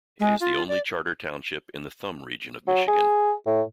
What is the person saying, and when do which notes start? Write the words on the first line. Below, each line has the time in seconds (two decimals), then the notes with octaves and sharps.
It is the only charter township in the Thumb region of Michigan.
0.20 G#3
0.40 F4
0.68 D5
2.68 F#3
2.88 G#4
3.46 A2